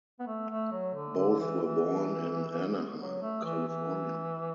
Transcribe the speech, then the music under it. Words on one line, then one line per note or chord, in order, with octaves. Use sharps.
Both were born in Anaheim, California.
B3
A3
A3
F#3
D3
D3
D3
E3
E3
F#3
A3
E3
E3